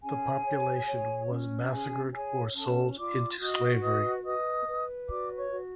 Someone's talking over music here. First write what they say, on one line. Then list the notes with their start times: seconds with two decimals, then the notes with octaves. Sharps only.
The population was massacred or sold into slavery.
0.02 C#4 G#4 G#5
0.44 C#5
0.86 C#5
1.28 C#4
1.71 C#4 G#4 G#5
2.13 G#4 C#5 G#5
2.55 C#4 A4 A5
2.97 F4 D5 D6
3.39 F#4 D#5 D#6
3.81 B4 D#5 D#6
4.23 B4 D#5 D#6
4.66 B4
5.08 F#4 D5 D6
5.36 C#5 C#6
5.50 F#4